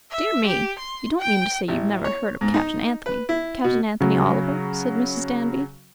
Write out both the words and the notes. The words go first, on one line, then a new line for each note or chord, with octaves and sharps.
"Dear me, you don't mean to say you've never heard of Captain Anthony--Captain Anthony Oliver?" said Mrs. Danby.
E5
G4
C6
G5
A1
C#5
G#2
D#4
B4
E4
B2
C#3 F#3